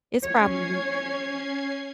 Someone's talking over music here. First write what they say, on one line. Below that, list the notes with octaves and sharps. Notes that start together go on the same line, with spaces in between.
it's probably"
C#4 C#5 G#6 C7